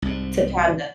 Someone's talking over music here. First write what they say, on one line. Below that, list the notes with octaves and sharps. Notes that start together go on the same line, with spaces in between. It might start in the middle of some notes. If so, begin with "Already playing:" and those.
to kinda
C2 G#2